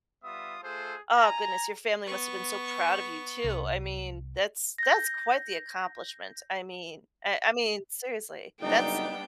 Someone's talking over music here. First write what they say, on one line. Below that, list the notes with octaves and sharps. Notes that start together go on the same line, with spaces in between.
oh goodness, your family must have been so proud of you, too. I mean, that's that's quite the accomplishment, I mean I I mean, seriously, that's
G3 B3 F4 E5 D#6
A3 F4 G#4 A4 C5
G#5 A#5
B3 C#6
C2
G6 A#6
F#1 G3 B3 D4 D#4 G5